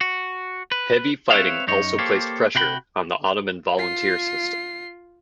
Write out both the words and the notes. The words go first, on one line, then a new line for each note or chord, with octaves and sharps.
Heavy fighting also placed pressure on the Ottoman volunteer system.
F#4
B4
C4 B4 C#5 E5 F5
F#2 D#4 C#5
A#3 G4 A4 C5 C#5
C3 F#4 G5 B5
F4 C7